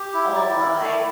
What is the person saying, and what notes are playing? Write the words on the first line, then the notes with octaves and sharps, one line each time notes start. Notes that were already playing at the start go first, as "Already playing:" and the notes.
Oh my.
Already playing: G4
E4
D5
E4
A3